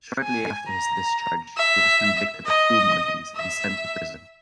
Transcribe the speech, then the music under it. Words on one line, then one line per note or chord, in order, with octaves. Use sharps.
Shortly after his discharge, he was convicted of two muggings and sent to prison.
G#5
A#5
E5
D#5
E5